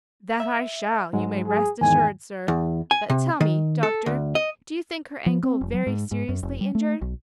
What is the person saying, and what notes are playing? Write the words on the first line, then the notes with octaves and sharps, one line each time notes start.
"That I shall, you may rest assured, sir; but tell me doctor, do you think her ankle very seriously injured?"
E5
G#2 F#3 G#3
G#4
E2 G#2 D#3 G#5
E2
G#5
C3
D#3
A4
D2
D#5
F3
C4
F1
F#3
G#2
G#2
F#2
F1
G3
A3
B1